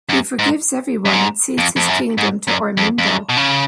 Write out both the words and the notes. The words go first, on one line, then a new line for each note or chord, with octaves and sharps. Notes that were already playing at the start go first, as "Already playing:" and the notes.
He forgives everyone and cedes his kingdom to Ormindo.
F#2
G#2
F#2
G#2
F2
F2
F#2
G#2
F#2
F2
F2
F#2
B2
C#3